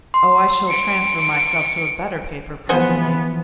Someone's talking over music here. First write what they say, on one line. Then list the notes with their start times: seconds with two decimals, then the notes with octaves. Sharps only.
'Oh, I shall transfer myself to a better paper presently.
0.14 C6
0.69 C#7 D7
2.69 E3 F3 B3 G#4 C5 F#5